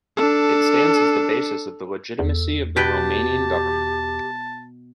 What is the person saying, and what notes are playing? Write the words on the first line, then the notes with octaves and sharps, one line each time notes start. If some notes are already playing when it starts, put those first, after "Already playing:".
It stands as the basis of the legitimacy of the Romanian government.
D4 A4
E2 A4
B2 G4 B4 G5 A5